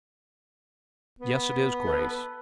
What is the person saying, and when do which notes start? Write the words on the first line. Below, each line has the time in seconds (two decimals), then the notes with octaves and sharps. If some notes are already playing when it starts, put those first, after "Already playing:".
Yes, it is, Grace.
1.20 B3
1.84 A4 B4